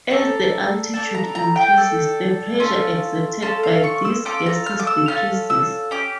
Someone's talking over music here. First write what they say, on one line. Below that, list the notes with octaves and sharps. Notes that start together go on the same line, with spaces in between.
As the altitude increases, the pressure exerted by these gases decreases.
D4 A4 A#5
D4 A4 A5
A#5
A#5
G5
D4 A4
C#4 F4 A4
C#4 F4 A4 A5
F5
C#6
E6
C#4 F4 A4 D6
A#5
F6
D6
E6
C#4 F4 A4 F6
E6
C#4 G4 D6